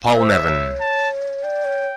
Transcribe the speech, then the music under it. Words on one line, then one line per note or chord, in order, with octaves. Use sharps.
Paul Nevin.
C5 E5
D5
C#5
A5
D5 G5
C#5